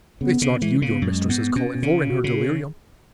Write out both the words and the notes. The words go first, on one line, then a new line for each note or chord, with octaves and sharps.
It's not you your mistress is calling for in her delirium.
C#3 B3
C#3 B3
B3
E3 G#3
C#3 B3
F#2 G#3
G#2 B3
B2 C#4
C#3 C#4
F#4
C#3
G#4